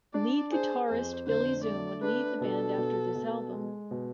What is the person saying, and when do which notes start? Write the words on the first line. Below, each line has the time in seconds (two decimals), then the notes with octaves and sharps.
Lead guitarist Billy Zoom would leave the band after this album.
0.14 D4 D5
0.52 G#4 C5
0.89 F2 C5
1.27 D3 C5
1.64 A3 D5
2.03 D4 B4
2.41 B2 A4
2.77 B2
3.15 B2
3.53 G#3
3.91 B2